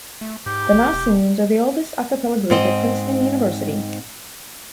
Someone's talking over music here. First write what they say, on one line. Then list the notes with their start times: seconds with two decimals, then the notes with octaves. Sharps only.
The Nassoons are the oldest a cappella group at Princeton University.
0.21 A3
0.46 G#2 G4
0.73 A1
0.93 E1
2.50 G#2 C4 D#5